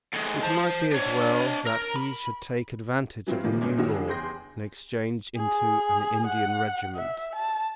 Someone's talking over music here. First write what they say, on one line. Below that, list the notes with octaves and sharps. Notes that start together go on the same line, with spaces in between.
It might be as well that he should take advantage of the new law and exchange into an Indian regiment.
A2 G#3
C5 A5
D4 C#5
A#4
B5
E3 F#3 G3 C4 F4
A2 C3 D#3 F3 G#3 A#3
F#2 A#2 G#3 B3 C#4 D4
F#1 F#2 D#3 F#3 F#4
C#3 G3 C#4 D4
E2 G#4 G5 C6 G6 A#6
G#4
F#5
E5
A5